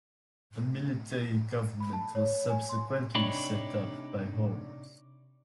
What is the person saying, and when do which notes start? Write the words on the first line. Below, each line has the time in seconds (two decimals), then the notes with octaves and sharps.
A military government was subsequently set up by Holmes.
1.80 B5
1.93 A5
2.15 C#5
2.49 G#5
2.69 C6
3.15 C3 D4 D#4 G4 C#5 B5